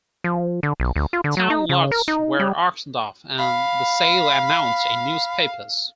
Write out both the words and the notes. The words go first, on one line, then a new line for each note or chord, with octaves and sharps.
Town lots were auctioned off, and the sale announced in newspapers.
F3
D3
B1
D2
F4
D3
F#3
D#4
C#3
A#4
D#4
G3
F5 B5